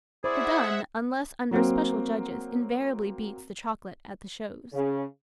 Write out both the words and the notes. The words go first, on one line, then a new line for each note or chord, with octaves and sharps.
The dun, unless under special judges, invariably beats the chocolate at the shows.
E4 G#4 C5 D5 E5 F#5
F#3 A#3 C4
C#3